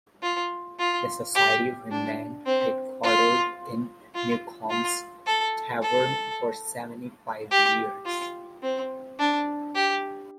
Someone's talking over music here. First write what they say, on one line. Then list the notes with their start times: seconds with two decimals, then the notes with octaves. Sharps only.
The society remained headquartered in Newcom's Tavern for seventy-five years.
0.22 F4
0.79 F4
1.35 G4
1.91 D4
2.46 C4
3.03 F4
4.15 F4
4.70 F4
5.26 A4
5.82 A4
7.51 G4
8.06 F4
8.62 C4
9.19 D4
9.75 G4